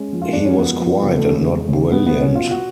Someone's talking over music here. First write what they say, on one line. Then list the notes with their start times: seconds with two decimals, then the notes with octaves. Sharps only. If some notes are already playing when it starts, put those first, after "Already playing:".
He was quiet and not brilliant.
Already playing: G#3 C#4
0.13 F3
0.22 F4
0.33 G#3 D4
0.45 C#4
0.58 F3 B3
0.80 F3
1.02 C#3 B3
1.17 A3
1.24 C#3
1.47 G#3
1.69 C#3
1.91 G#3 B3
2.07 B3
2.14 B2
2.20 C#4
2.35 B2 F4
2.51 F#4